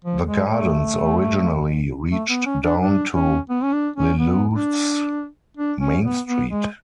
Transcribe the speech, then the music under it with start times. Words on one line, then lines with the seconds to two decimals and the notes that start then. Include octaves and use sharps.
The gardens originally reached down to Lillooet's Main Street.
0.04 F3
0.27 G#3
0.50 A3
2.11 A3
2.29 B3
2.46 C#4
2.63 D4
2.81 D4
3.15 C#4
3.50 B3
3.63 C#4
3.73 D4
3.96 C#4
4.19 B3
4.54 D4
5.57 D4
5.81 C#4
6.04 B3
6.27 B3
6.50 G#3